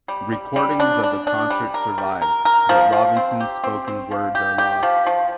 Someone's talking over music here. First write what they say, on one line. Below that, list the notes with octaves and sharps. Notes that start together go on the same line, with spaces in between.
Recordings of the concert survived, but Robeson's spoken words are lost.
G3
G3
G3
D4
D4
D4
G3
A#4
G3
A#4
A#4
F3
F3
C4
G4
C4
C4
F3
G4
G4
F3
F3